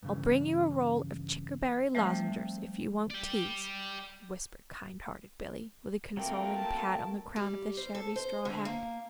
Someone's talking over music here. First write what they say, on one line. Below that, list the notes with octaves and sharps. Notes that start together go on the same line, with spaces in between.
"I'll bring you a roll of chickerberry lozengers, if you won't tease," whispered kind-hearted Billy, with a consoling pat on the crown of the shabby straw hat.
G2 C#3 E3
F3 G3 A3 C4 C5 E5
D5 G5
F#3 A3 A#3 C4 A#4 G5
A5
G3
C5
A4
C5
D3
A#3